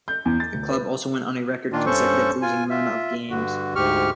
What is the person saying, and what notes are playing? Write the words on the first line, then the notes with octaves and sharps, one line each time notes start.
The club also went on a record consecutive losing run of games.
G6
E2
A6
D2
B4
A#2 D#3 A#3 D4 F4
G2 C#4 A4 C5 C#6
F4 G#5
F4 E5
G2 D3 F#4
D2 G#2 G4 C#6 F6